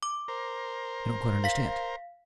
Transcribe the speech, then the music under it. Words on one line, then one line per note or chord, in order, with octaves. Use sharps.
"I don't quite understand."
D6
A#4 C5
F5 B6